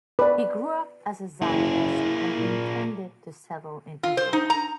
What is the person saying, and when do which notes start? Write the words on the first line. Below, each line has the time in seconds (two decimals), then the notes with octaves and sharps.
He grew up as a Zionist and intended to settle in Israel.
0.19 B4 D5
1.42 F#1 A#3 E4 G#4
2.36 A#2
4.03 F4
4.17 C5
4.33 D#4
4.50 A#5